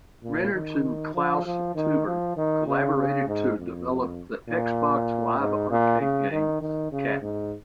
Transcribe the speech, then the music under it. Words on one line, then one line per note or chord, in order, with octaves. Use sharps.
Reynolds and Klaus Teuber collaborated to develop the Xbox Live Arcade game "Catan".
A#2
D#3
F3
F3
D#3
F3
D#3
C#3
C#3
G#2
F2
A#2
G#2
A#2
C#3
D#3
D#3
C#3
G#2